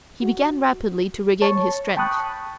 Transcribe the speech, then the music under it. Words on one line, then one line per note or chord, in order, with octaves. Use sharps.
He began rapidly to regain his strength.
F#4
C#5 A5 C#6
G5 A5 B5 C#6 D#6 F#6